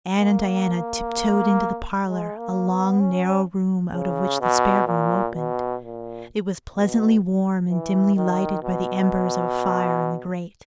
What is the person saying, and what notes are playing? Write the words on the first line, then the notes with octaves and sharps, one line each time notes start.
Anne and Diana tiptoed into the parlor, a long narrow room out of which the spare room opened. It was pleasantly warm and dimly lighted by the embers of a fire in the grate.
A#3
G#3
A#3
B3
C#4
C#3
B2
A#2
B2
A#2
B2
E3
D#3
B2